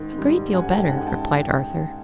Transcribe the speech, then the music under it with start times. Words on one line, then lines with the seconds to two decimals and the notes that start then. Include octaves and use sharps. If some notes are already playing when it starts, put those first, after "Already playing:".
"A great deal better," replied Arthur.
Already playing: G#2 D#3
0.18 G3
0.54 G#2 F#5 G#5
0.71 G5 A5
0.89 G#2 F#5 G#5
1.07 G5 A5